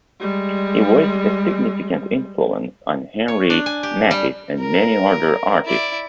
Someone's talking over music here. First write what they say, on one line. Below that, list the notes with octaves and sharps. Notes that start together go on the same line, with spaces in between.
He was a significant influence on Henri Matisse and many other artists.
G3 G#3
C#5
D4
G#5
G4
G3
A#4
E4 D5